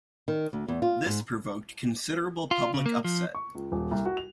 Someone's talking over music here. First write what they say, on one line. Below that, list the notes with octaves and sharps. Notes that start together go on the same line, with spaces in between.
This provoked considerable public upset.
D#3
D2
E2
F4
G#2
F4
C#3
A#3
F3
C#6
C#2
D#1
C2
F#4
F7